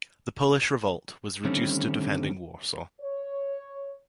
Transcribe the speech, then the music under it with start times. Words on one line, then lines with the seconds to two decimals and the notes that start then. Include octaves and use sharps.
The Polish revolt was reduced to defending Warsaw.
1.45 D3 D#3 G3 A3 C4 C#4
3.01 C#5